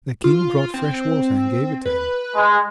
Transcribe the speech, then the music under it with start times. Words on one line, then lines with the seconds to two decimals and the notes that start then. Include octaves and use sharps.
The King brought fresh water and gave it to him.
0.24 F4
0.74 C4
1.85 B4
2.35 G#3